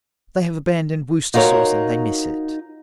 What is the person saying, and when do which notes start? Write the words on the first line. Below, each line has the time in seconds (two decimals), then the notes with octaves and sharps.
They have abandoned Worcester sauce, and they miss it.
1.34 D#4 F4 F#4 A#4 C#5